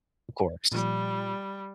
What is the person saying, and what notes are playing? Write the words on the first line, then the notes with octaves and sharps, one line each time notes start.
Of course.
A#2 F3 G3